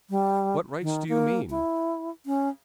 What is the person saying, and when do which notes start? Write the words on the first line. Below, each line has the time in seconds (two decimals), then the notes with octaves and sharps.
"What rights do you mean?"
0.10 G3
0.82 D#3
1.08 A#3
1.50 E4
2.26 C#4